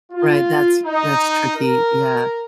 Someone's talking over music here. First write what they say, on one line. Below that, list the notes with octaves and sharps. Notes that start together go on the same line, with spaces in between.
Right, that's that's tricky. Yeah.
F4
D#4
A#4